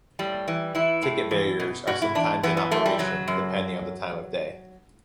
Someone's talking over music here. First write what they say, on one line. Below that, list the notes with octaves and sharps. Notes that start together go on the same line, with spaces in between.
Ticket barriers are sometimes in operation, depending on the time of day.
A2 G3
E3
E3 E4
A2
E2
B2
B2 F#4
E4
E2 D4
E3 B3
B3
F#2 A3
G3
C#3 F#3
F#2